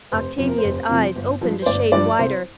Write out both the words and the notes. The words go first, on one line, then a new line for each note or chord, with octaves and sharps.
Octavia's eyes opened a shade wider.
F1 C5
F2 C3 F3 C5
A#4
C5
F1
F2 C3 F3
G1
G2 F3
C5
G1 D5
G2 F3 D5
C2 C5